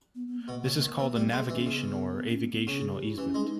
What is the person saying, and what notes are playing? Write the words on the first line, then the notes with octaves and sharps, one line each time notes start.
This is called a navigation or avigational easement.
B3
B3
A#3
B2
C#3
D#3 A#3
A#3
E3
B3
G3 B3
G#3 A#3
B3
E3
C#4
C#3 B3
B3
B3
C#4
A#3
B3
C#3 C#4
G#4
G4
E4
E3 C#4
G#3
D#4